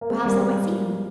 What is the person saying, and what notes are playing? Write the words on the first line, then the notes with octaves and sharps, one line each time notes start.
'Perhaps I might see him.
A#3
G#3 C4
G3 A#3
G#3